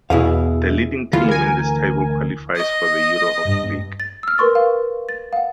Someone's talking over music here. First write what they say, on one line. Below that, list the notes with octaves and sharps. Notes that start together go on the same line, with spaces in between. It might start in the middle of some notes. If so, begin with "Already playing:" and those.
The leading team in this table qualifies for the Euro Hockey League.
E2 B2 E4 G#4 F5
D2 E3 F4
A#4 G#5
D#5
G2
A6
E6 F6
A#4 B4 C6 C#6 A6
F5
A6
F5 F#5